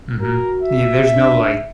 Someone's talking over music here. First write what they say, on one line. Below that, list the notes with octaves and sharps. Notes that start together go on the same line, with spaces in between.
mhm, yeah, there's no, like
F#4 A#4
E5
D4